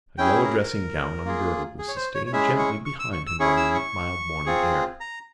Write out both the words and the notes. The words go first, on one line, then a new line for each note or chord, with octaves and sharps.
A yellow dressinggown, ungirdled, was sustained gently behind him on the mild morning air.
C#4 E4 G#4 G5
A#4
A#3 F4 G#4
G#4
C#5
C5
C#5
C#5
G#3 C#4 E4 G#4 E5
C#6
C#6
E6
C#6
E6
C#4 E4 G#4 C#6
E6
C#6
C4 F4 G#4
A#5